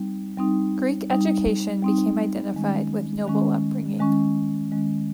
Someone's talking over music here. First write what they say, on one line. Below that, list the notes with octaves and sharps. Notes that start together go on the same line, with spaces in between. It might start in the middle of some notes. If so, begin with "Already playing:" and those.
Greek education became identified with noble upbringing.
Already playing: G3 C4 D#4
G3 C4 D#4
G3 C4 D#4
G3 C4 D#4
D#3 G#3 C#4
D#3 G#3 C#4
D#3 G#3 C#4
D#3 G#3 C#4